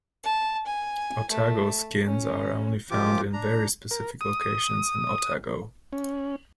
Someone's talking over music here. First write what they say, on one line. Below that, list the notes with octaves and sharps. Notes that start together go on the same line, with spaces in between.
Otago skinks are only found in very specific locations in Otago.
A5
G#5
A3
C#4
F#2 F3 F4 G4 D6
D4 A#5
A#4
D#6
C#4